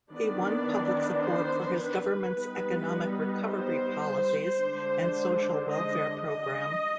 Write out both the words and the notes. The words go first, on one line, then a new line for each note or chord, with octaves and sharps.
He won public support for his government's economic recovery policies and social welfare programme.
D#3 B3 D4 D5
C5
B4
G3 B3 D#4
C5
D3 G#3 D4
D#5
D#5